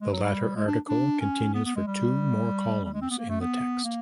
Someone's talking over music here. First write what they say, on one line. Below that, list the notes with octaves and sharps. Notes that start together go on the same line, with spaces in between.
The latter article continues for two more columns in the text.
G#3
F#3
G3
G#3
D4
D4
C#4
B3
B3
G#3
G3
G3
G#3
C4
B3
A#3
A3
B3
A#3